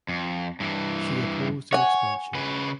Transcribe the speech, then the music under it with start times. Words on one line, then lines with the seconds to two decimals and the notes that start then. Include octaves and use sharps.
She opposed an expansion.
0.08 F2
0.60 G2 E3
1.73 C#5 F#5 G#5
2.35 C#3 B4